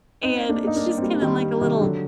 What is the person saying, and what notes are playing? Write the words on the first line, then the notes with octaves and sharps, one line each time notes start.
and it's just kinda like a little,
C4 D#4
A#3 D4
D#4
A#3 D4
C4
G3 A#3
D#3 G3
C3 D#3
D3 F#3